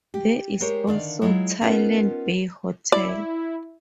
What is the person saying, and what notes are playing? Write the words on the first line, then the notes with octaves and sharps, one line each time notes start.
There is also Talland Bay Hotel.
G4
G#3 G4 A#4 C5 C#5
D3 D#3 D5 F5
F#3 G#3 E4 F4
B3 C#4 D#4 F4 A#4
E4 D5